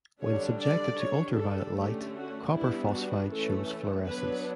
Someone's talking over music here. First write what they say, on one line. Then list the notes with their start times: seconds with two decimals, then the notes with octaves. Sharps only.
When subjected to ultraviolet light, copper phosphide shows fluorescence.
0.22 D3 G3 D4 C#5
0.60 D5
0.99 G3 D4 C#5
1.37 A4
1.76 D3 A3 C#4 G4
2.15 F#4
2.53 G3 B3 D4 E4
2.92 F#4
3.30 E3 A3 C#4 A4
4.08 F#3 B3 D4 B4